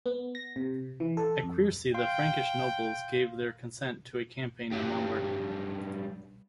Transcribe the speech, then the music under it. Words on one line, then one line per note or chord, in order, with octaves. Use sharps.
At Quiercy the Frankish nobles finally gave their consent to a campaign in Lombardy.
B3
A#6
C3
E3
A4
F2
F5 G5 C6
G2 F#3